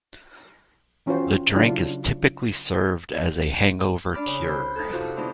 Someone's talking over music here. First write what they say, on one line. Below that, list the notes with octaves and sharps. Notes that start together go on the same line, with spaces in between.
The drink is typically served as a hangover cure.
E3 C#4 F4 F#4 C5
C#3 F#3 D4 E4 F4
D4 D5 B5 D6 F6
C#3
C5 B5
D#4 A4
F2 C3 F3 F#4 F#6
D3 E3 B3 C4 D#4